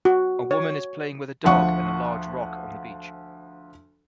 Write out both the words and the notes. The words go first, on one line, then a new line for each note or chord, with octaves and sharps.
A woman is playing with a dog and a large rock on the beach.
F#4
C#5
D2 F3 F#5 C#6